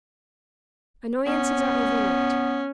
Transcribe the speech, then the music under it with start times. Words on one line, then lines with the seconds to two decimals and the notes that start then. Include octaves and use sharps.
Annoyances are overlooked.
1.26 B3 C#4